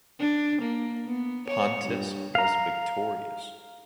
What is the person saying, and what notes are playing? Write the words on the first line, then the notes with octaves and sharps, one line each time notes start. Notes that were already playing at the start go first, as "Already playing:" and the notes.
Pontus was victorious.
D4
A#3
B3
C#5
G2
F5 A#5